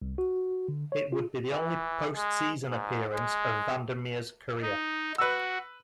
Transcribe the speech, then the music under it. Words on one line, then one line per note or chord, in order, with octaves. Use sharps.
It would be the only post-season appearance of Vander Meer's career.
C2
F#4
D3
C#5
F4
E3
G#3
G#2
G#3
D#4
F#4 B4 E6